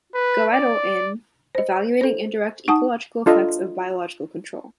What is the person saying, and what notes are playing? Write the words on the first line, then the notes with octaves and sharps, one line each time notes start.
Goettel in "Evaluating Indirect Ecological Effects of Biological Control".
B4
D5
C5 D#5
A4 C5
D#4 F#5 G#5 A5 D#6
D4 F4 A4 D#5